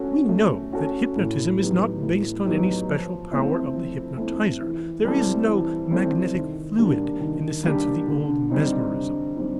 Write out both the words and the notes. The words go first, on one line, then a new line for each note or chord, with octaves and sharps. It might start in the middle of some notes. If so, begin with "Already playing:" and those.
We know that hypnotism is not based on any special power of the hypnotizer; there is no magnetic fluid in the sense of the old mesmerism.
Already playing: A3 C#4 F#4 A4
A3
C#4 F#4 A4
A2
F#3 B3 D#4 G4
A2
F#3 B3 D#4 G4
F3
A3 C4 E4
F3
A3 C4 E4
E3
G3 C4 E4 A4
E3
G3 C4 E4 A4
D#3
G3 A#3 D4 G4
D#3
G3 A#3 D4 G4
D3
G3 C4 D#4
D3
G3 C4 D#4